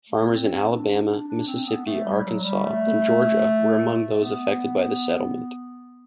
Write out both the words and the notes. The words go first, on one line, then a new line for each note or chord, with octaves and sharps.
Farmers in Alabama, Mississippi, Arkansas, and Georgia were among those affected by the settlement.
A3
C4
D4
D4
D4
C4
B3
A3
G3
F#3
G3
A3
B3